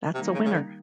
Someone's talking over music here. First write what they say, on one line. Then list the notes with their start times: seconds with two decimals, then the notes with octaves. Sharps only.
That's a winner!
0.14 C3 D#3 G3 A#3 D#4
0.34 C#3
0.45 C#3
0.53 D3